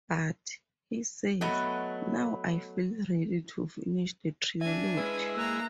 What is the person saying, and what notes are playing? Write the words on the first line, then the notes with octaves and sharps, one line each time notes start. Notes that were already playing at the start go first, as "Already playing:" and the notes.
"But", he says, "now I feel ready to finish the trilogy".
F#3 A3 B3 D#5
D4 E5 G#5
G#3 E4 B4
A#3 A#5 E6 F#6